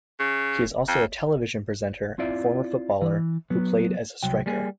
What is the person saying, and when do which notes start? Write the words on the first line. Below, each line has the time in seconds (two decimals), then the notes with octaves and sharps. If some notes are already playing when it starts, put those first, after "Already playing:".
He is also a television presenter and former footballer who played as a striker.
0.20 C#3
0.88 F2
2.18 C4 E4 F4 D5 E5
3.02 E3
3.50 F#3 B3
4.23 C2 F#3 G5
4.46 G3 A#3 G#4